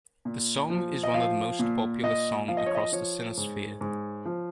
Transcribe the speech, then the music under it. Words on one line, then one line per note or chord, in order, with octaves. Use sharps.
The song is one of the most popular song across the Sinosphere.
A#2
F3
D#5
F3 F5
A#2
A#2 D#5
F3 F5
D#5
C#5
D#5
F3 C#5
G#2
G#2
F3